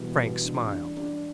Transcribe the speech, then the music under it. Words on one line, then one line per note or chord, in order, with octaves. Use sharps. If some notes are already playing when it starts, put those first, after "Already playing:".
Frank smiled.
Already playing: B2 E3 G3
G3
D4
D4
D4